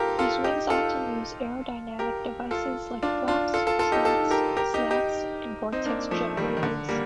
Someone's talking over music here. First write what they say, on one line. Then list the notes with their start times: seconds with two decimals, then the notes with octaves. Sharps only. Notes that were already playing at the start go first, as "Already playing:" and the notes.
These wings often use aerodynamic devices like flaps, slots, slats, and vortex generators.
Already playing: F4 G4 A4 A#4
0.19 F4 A4
0.44 D#4 G4
0.70 F4 A4
1.99 G4 A#4
2.51 F4 A4
3.02 D4 F4
3.28 D4 F4
3.54 F4 A4
3.67 F4 A4
3.79 F4 A4
3.92 D#4 G4
4.05 F4 A4
4.31 G4 A#4
4.57 G4 A#4
4.74 D#4 G4
4.91 D#4 G4
5.72 C4 D#4
5.86 A#3 D4
6.11 F3 A3
6.37 D#3 G3
6.57 D#3
6.63 D3
6.89 G3 A#3